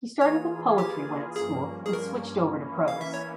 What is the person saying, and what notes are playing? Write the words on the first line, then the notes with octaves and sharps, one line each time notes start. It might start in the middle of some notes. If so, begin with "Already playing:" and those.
He started with poetry when at school and switched over to prose.
E3 A#3 F4 G#4 C#5
G4
G2 F3 A#3 C#4 G#4
G#4
A#4
E3 A#3 C#4 E4
F5
E5
C#5